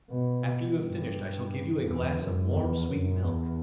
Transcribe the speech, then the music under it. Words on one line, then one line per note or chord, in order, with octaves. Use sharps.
"After you have finished, I shall give you a glass of warm sweet milk."
B2
G2
E2
F#2
E2
F#2
E2